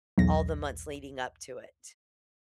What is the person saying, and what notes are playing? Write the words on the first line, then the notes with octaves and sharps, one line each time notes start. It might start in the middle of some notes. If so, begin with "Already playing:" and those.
all the months leading up to it.
B1 E2 A#6